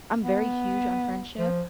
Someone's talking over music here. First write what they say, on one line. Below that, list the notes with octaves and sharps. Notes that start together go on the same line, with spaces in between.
I'm very huge on friendship,
B3
F3